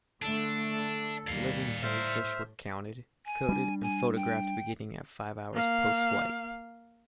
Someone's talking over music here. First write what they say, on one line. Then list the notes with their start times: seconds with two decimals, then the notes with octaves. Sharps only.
Living jellyfish were counted, coded, and photographed beginning at five hours postflight.
0.22 D3 A3 D4 A4
1.27 D#2 G3 D5 F5
1.83 A2 C5 E5 F6
3.26 G#5
3.49 G3 D4
3.82 G#5
4.16 G5
5.54 A#3 F5